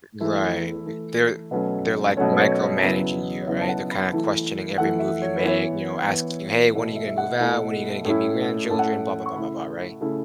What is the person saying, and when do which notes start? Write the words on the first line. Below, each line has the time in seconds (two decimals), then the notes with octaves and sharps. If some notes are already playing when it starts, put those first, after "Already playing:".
Right. They're they're, like, micromanaging you, right? They're kinda questioning every move you make, you know, asking you, "Hey, when are you gonna move out? When are you gonna give me grandchildren?" Blah blah blah blah blah, right?
0.20 E3 A3 E4
0.86 E3 A3 E4
1.51 B2 F#3 A3 C#4 B4
2.17 B2 F#3 A3 C#4 C#5
2.33 B4
2.39 C#5
2.82 C#3 F#3 B3 E4
3.42 C#5
3.47 C#3 F#3 B3 E4 E5
3.61 A5
3.69 F#5
3.91 B5
4.13 E3 A3 E4 A5
4.78 E3 A3 E4 F#5
4.99 E5
5.22 C#5
5.36 B4
5.44 E3 B3 E4 C#5
6.09 E3 B3 E4
6.74 B2 A3 E4 C#5
6.96 E5
7.08 E5
7.18 F#5
7.40 B2 A3 E4
8.05 A2 A3 C#4 E4
8.70 A2 A3 C#4 E4 A5
8.79 F#5
8.88 A5
9.26 C#6
9.36 C#3 A3 E4 B5
10.01 C#3 A3 E4